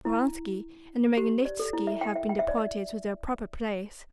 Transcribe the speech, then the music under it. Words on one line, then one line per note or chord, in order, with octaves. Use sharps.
Speranski and Magnitski have been deported to their proper place.
E4
G4
D5
A4
E4
E5
G5
E5
G5
E5
D5
E5